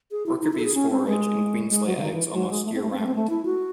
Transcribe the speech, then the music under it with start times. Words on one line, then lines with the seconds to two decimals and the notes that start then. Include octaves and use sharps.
Worker bees forage and queens lay eggs almost year-round.
0.11 G#4
0.26 E4
0.42 D#4
0.53 E4
0.59 A4
0.64 G#4
0.75 C#4
0.90 C4
1.07 G#3
1.70 G#3
1.87 F#3
1.97 C#3
2.02 D#3
2.12 E3
2.33 F#3
2.50 G#3
2.65 A3
2.74 C4
2.82 A3
2.91 C4
2.99 A3
3.06 C4
3.15 A3
3.30 E4
3.45 F#4